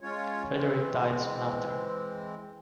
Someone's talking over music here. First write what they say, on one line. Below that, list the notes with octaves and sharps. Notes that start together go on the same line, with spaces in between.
Frederick died soon after.
G#3 C#4 F4 C#5
E3 G#3 C4